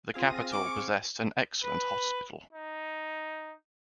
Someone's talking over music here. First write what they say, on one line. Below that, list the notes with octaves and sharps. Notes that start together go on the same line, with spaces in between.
The capital possessed an excellent hospital.
C4 F4 G#4 F5 A#6 D#7
C#6 D6
B4
D#4